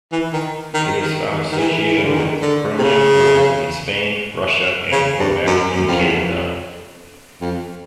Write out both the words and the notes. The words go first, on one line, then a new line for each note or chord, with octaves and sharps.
It is found associated with chromium ores in Spain, Russia, and Quebec in Canada.
E3
D#3
D#3
D#3
D#3
D#3
E3
E3
C#3
D3
D#3
D3
C3
C#3
C#3
G2
F#2
F#2
F2
E2
F2
F2